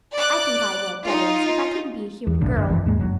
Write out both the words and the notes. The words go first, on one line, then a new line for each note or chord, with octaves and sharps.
I think I would--that is, if I couldn't be a human girl.
D5 D6 F#6
D#4 F4
E2
F#1 B1 A2 D3
F#1 F#2 D3
G#1 F#2 E3 F3
D#2 G#2 G#3
F#1 F#3